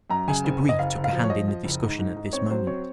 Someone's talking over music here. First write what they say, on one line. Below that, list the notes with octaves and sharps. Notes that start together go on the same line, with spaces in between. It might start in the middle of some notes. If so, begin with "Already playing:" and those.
Mr. Brief took a hand in the discussion at this moment.
F#2 A#5
C#3 G#5
F#1
F#1
D#5
F#1 F5
F#1
F5
F3
C#5
F3 D#5
F3
F#1
G#2
G#2
G#2
C4 C#5
F#3 C5
C4 C#5